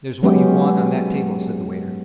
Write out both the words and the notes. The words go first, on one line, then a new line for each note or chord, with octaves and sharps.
"There's what you want on that table," said the waiter.
F#3 G#3 B3 C#4 G4